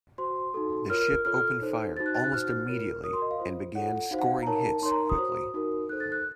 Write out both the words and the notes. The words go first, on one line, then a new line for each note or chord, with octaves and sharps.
The ship opened fire almost immediately and began scoring hits quickly.
F#4 C5 C6
D#4 F#4 A4
F4 A#4 C#5 F6
F4 A4 C#5 F6
F6
D#4 A4 C5
D#4 F#4 C5 A6
F#6
A6
F#6
D#4 F#4 C5 F6
F4 A#4 C#5
F#4 A#4 C#5 D#6
C6
D#5
F5
F4 C5
F4 A4 C#5 F#5
D#4 F#4 C5 F5
F#5
F5
A#5
D#4 A#4 C#5 A5
D#4 A#4 C#5 C6
A#5
D#6
F#4 C5
D#4 F#4 A#4
D#4 A4 C5 F#6
A6
F#6